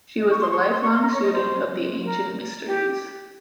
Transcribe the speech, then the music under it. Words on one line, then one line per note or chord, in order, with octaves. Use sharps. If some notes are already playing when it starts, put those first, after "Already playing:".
She was a lifelong student of the ancient mysteries.
D#5
C#6
C6
C#6
C6
C6
C#6
C6
A#5
C#5
D#5
C5
A#4
G4